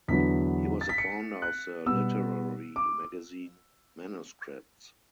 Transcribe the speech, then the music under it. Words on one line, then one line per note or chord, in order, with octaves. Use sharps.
He was the founder of the literary magazine "manuscripts".
E2 D3 F#3 B3 B6
A6
B6
C#7
F#6
B2 G3 B3 E6
D6